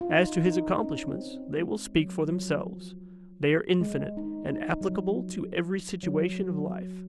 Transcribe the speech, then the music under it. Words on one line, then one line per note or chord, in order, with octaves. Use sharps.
As to his accomplishments, they will speak for themselves; they are infinite, and applicable to every situation of life.
F4
D#4
D#4
C#4
C4
G#3
F#3
F3
F#3
G#3
D#4
D#4
F#3
F3
F#3
F#3